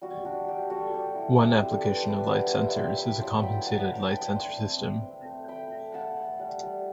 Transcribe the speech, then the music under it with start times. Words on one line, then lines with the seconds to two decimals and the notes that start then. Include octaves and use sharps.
One application of light sensors is the compensated light sensor system.
0.01 G3 F#4
0.25 D4 F#4
0.48 G3 G4
0.70 G3 F#4 A4
0.93 G3 G4
1.15 E4
1.38 C4 G4
1.61 G3 A4 C5
1.84 D4 B4 D5
1.97 C5
2.07 G3 B4 D5
2.29 D4 D5 F#5
2.52 G3 C5 E5
2.75 F#3 G5 B5
2.98 E4 G5 B5
3.21 F#3 A5 C6
3.43 F#3 G5 B5
3.66 D4 F#5 A5
3.89 A3 G5 B5
4.11 D4 G5 B5
4.35 D4 A5 C6
4.58 C4
4.81 C4
5.03 C4
5.25 A3
5.48 A3 G5 B5
5.72 A3
5.94 A3 F#5 A5
6.17 A3
6.39 G3
6.63 G3